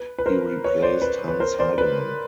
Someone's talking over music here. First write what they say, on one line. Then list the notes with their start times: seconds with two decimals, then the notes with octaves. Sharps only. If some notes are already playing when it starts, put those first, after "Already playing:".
He replaced Hans Heidemann.
Already playing: B4
0.18 B4
0.26 A#4 C5
0.64 B4 C#5
0.83 C5 D5
1.02 B4
1.28 B4
1.40 A#4 C5
1.59 C5 D5
1.78 B4